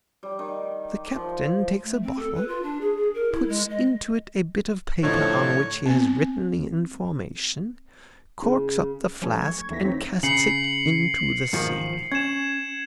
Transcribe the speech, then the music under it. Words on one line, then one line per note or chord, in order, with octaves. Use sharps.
The captain takes a bottle, puts into it a bit of paper on which he has written the information, corks up the flask, and casts it into the sea.
G3
D#3
F3
A3
C4
A4
B4
F4
D4
G#4
G#4
A#4
E4
G#3
D#5
A2 D3 F3 D#4 C#5
B3 C4
C#3
F3 G3 A3 C#4 A4
C#6 G#6
D#2 E3 A3 B3 A#6 B6
C4 D#4 C#5
C#3 C7 C#7 F#7
G#2 D#3 F3
C#4 G#6 E7